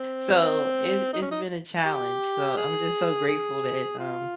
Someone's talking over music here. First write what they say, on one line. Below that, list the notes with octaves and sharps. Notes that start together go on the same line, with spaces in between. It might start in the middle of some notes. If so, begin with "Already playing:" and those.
so, it's it's been a challenge, so, I'm just so, grateful that, um,
Already playing: C4
C4
D#4
C#4
D#4
G4
G#4
G#4
F4